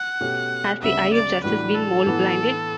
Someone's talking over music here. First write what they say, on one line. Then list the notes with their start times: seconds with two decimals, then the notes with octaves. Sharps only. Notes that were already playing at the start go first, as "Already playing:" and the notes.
Has the eye of Justice been mole-blinded?
Already playing: F#5
0.21 B2 A3 C#4 G4
0.82 D2 C#3 G3 B3 E5
1.14 D5
1.44 A2 E3 G3 D4 F#4 B4
1.75 A4
2.06 A2 E3 B3